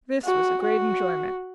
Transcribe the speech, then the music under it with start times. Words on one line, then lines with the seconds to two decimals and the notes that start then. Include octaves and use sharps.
This was a great enjoyment.
0.24 F#4
0.62 F#4